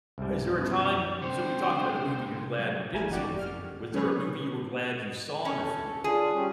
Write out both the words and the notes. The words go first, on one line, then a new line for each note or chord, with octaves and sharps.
Is there a time so we talked about a movie you're glad you didn't see in a theater. Was there a movie you were glad you saw in a theater
C2 G#2 G3
F#2 B2 E3
C2 D3 C4 C5
F#3
A#1 A3 E4 A#4 G#5
G1 F#2 D#3 F#4 G4 D5
F6
F#3 G#3 C#4 G#4 B4 C#5
C#4 A4
D4 F4 G#4
G3 C#4